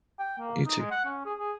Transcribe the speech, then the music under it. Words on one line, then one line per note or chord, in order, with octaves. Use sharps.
You too.
G5
A#3
D#4
G#3
F#5
C#4
G#4
G#4